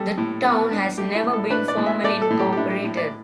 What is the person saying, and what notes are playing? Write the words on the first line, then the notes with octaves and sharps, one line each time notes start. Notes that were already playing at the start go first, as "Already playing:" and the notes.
The town has never been formally incorporated.
Already playing: G3 A4
A2
B3
D4
A3 G4
E4
A2
A4
D4 B4
D5
A2
E5
A3 D5
A4
A2
G4
G4
D4 E4
G4
A2
D5